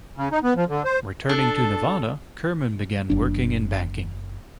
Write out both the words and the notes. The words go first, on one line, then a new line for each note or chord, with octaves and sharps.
Returning to Nevada, Kirman began working in banking.
C#3
D#4
B3
F3
D3
C5
D4 A4
F#1 D4